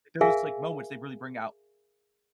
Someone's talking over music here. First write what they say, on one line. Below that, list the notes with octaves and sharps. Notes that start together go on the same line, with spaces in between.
those, like, moments, they really bring out,
G#4 A#4 E5 F5 G#5